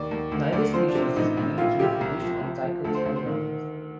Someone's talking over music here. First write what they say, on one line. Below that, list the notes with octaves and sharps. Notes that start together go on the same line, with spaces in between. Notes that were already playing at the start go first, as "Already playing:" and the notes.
Neither species is believed to reproduce on dicotyledons.
Already playing: D#2 D5
D#2
D2
D2 D5
F3 C5
D4
C3
C4
A1 D#4
A1
A#1 F4
A#1 G4
C2
F3
F3
F3
D2 A4
C5
D2
C5
D#3